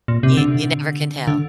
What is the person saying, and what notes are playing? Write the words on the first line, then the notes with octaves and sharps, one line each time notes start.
you you never can tell.
A#2
C3
D3
D3